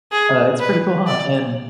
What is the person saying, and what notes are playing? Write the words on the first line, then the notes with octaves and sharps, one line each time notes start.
uh, it's pretty cool, ha," and
G#4
B4
D5